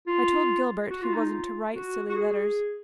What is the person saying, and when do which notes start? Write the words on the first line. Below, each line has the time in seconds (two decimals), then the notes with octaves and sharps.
I told Gilbert he wasn't to write silly letters.
0.07 F4
0.90 F#4
1.02 F4
1.14 D#4
1.26 F4
1.74 F#4
2.09 F#4
2.15 G#4